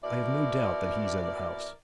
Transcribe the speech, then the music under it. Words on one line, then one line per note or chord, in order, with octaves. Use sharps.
'I have no doubt that he's in the house.'
B2 E4 A#4 D5